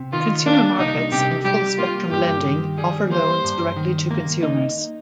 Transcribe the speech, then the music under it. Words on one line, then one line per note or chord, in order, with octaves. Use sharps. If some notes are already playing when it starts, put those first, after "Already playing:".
Consumer Markets and Full Spectrum Lending offer loans directly to consumers.
Already playing: C3
D#3 F4
A#3 D4
C2 D#4
C3 G4
G3 G4
A#3 F4
G2 G4
D#3
G3 G#4
A#3 C5
G2
D#3
A#3
D#4